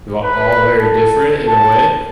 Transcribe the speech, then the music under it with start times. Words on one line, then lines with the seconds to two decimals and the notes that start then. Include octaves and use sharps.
va all very different in a way,
0.24 B4
0.80 A4
1.48 A5